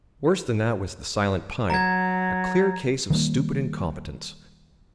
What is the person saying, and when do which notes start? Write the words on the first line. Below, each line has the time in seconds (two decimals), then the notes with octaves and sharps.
Worse than that was the Silent Pine,--a clear case of stupid incompetence!
1.70 F#3 A#5 G#6
3.10 D#3 G3 A3 A#3